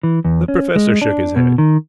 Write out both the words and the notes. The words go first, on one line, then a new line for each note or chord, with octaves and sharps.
The professor shook his head.
E3
E2
C#4
G#3
D4
B2
D#3